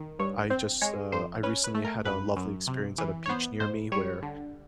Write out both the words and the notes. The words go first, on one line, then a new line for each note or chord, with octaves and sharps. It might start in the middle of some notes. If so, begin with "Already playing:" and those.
I just, uh, I recently had a lovely experience at a beach near me where
Already playing: D#3
G2 C#5
C4 C5
G#3 C#5
F2 C5
C#4 B4
B4
A3
A#4
F#2 B4
F#2
C3
E3
C#5
B3 C5
G#2 C5
G3 C#5
D3